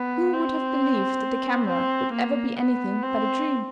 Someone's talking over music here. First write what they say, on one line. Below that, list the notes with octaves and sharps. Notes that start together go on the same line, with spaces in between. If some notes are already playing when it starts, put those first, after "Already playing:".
Who would have believed that the camera would ever be anything but a dream?
Already playing: B3
C4
C4
A#3
B3
C4